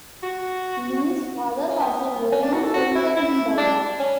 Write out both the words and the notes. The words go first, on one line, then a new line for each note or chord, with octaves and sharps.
Lee's father was a well-known painter in Taiwan.
F#4
C#4
B3
C#4
D4
F#4
A4
F#4
E4
E4
D4
C#4